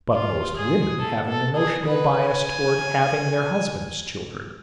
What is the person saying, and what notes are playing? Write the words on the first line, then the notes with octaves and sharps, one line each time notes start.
But most women have an emotional bias towards having their husband's children.
F4
G#4
A4
A4
G#4
B4
G#5